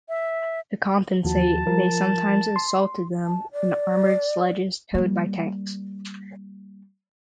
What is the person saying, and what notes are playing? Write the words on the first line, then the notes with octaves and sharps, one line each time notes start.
To compensate, they sometimes assaulted them in armoured sledges towed by tanks.
E5
D#2 F3 F#4 A5
F3 A#4
C6
A5
D5
G3 A#3